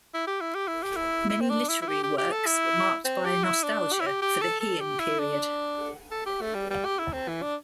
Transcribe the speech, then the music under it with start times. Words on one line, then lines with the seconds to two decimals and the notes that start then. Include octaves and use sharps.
Many literary works were marked by a nostalgia for the Heian period.
0.14 E4
0.27 G4
0.41 E4
0.55 G4
0.68 E4
0.83 G4
0.96 E4
1.29 E4
1.41 C4
1.50 D4
1.69 E4
1.82 E4
1.88 G4
2.03 G4
2.18 G4
2.32 A4
2.46 E4
3.05 C4
3.25 G4
3.44 E4
3.64 D4
3.93 G4
4.00 E4
4.07 G4
4.22 G4
4.41 A4
4.60 A4
4.80 G4
4.99 E4
5.20 D4
6.11 A4
6.26 G4
6.41 A3
6.55 G3
6.70 G3
6.85 G4
6.99 E4
7.13 C4
7.28 E3
7.42 D4